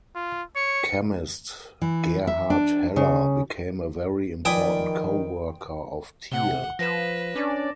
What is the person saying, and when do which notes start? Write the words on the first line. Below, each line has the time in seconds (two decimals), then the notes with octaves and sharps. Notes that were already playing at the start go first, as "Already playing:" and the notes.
Chemist Gerhard Heller became a very important co-worker of Thiel.
0.16 F4
0.56 C#5 C#7
1.82 E3
2.27 E5
2.50 D4
2.96 C#3
4.45 D#3 F3 B4 D5 G5 G#5 D#6
6.32 C3 F#5 G7
6.79 F3 B4 A#6 E7
7.36 C#4 D4 D5